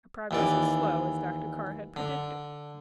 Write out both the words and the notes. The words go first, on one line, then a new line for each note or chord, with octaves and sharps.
Her progress was slow, as Dr. Carr had predicted.
D#2 E3 D5
D3